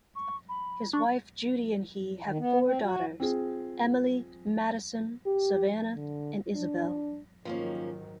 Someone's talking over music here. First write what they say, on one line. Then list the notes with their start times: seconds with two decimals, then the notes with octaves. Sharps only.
His wife, Judy, and he have four daughters: Emily, Madison, Savanna and Isabelle.
0.15 C#6
0.49 B5
0.93 D4 C#6
2.26 D#3
2.39 B3
2.66 C4
2.84 F#4
3.20 C4 F4 G#4
5.26 G4
5.94 D3
6.55 D4
7.45 G#2 D#3 F3 F#3 A#3 C#4